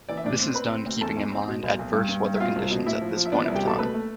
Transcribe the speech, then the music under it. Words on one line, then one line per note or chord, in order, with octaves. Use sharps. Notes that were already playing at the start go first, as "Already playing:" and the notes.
This is done keeping in mind adverse weather conditions at this point of time.
E3 D5
E5
A2 D4 D5
C4
C4 B4 B5
C4
D2
E2 A4 A5
E2
C4
B2
B1
B1
G2
G2
G2
E5
B2 F4 F5
C2
B2
A2 E4 E5
F3
F3
E5
B3 D4 D5
C2 E4 E5
G4 G5
B2 A4 A5
A3 B4 B5
A3